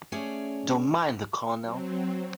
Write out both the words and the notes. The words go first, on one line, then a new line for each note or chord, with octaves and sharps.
Don't mind the Colonel.
A3 C#4 G#4 C#5 D5
F#3 C4